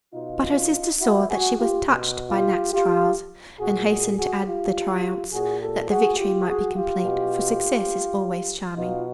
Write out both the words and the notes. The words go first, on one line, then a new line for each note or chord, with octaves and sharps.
But her sister saw that she was touched by Nat's trials, and hastened to add the triumphs, that the victory might be complete, for success is always charming.
B2 D#4 F4
E4 F#4
F#4 G#4
F4 G4
B2
F4 G4
F4 G4
A#2 F#4 G#4
F#4 G#4
F#4 G#4
F4 G4
A#2 F#4 G#4
G4 A4
F#4 G#4
F4 G4
F#4 G#4
F4 G4
B2
B2 D#4 F4